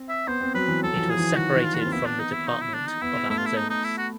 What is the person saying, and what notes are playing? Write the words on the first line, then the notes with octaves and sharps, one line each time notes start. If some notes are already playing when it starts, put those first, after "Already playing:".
It was separated from the Department of Amazonas.
Already playing: C4
E5
B3 C5
C4
F#3 B4
E3
F#3 A4
E3
F3
G#4
E3
D#3
E3 F#4
E3
F4
A#3 F#4
F4
C4
B3 E4
D4
D#4
E4
D#4
E4
D4
D#4
B3 E4
A3 E4
F4
E4
D#4
D#4
E4
F#4